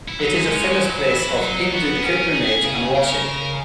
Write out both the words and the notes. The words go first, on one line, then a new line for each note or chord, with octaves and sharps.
It is a famous place of Hindu pilgrimage and worship.
E4
F#3 D#4
G#3
C#4
F#3 E4
E3
F#3
D#4
B3 F#4
G#4
C#4 A#4
G#4
C#3
C#3 A#4